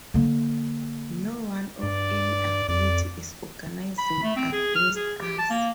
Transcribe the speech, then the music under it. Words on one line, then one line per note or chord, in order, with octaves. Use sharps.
No one of any ability is organising against us.
D3 A#3
G2 D5
F2 D5
B5
A3
C4
G#4
F6
G#4
G4
A5
A#3